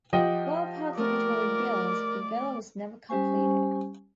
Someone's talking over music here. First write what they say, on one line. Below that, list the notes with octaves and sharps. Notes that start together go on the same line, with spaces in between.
While parts of it were rebuilt, the villa was never completed.
F3 G4 D#5 F#5 G5
A3 A#4 D5
G3 C#4 G4 C5 G#5 C#6